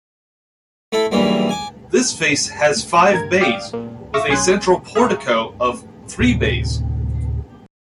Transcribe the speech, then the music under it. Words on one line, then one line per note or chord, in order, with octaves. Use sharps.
This face has five bays, with a central portico of three bays.
A3 E4 A4
B1 E2 G2 E3 G3 A#3
G#5 D6
G2 A#4 G#6
D5 F5 G5 D#6 F6 G6
A#2
E5 F5 C#6 D6 E6 A#6
B1 C#4 G#4 G#5 C6 F#6
G#4 E5 F5 A#5 C#6
D2 A2 C3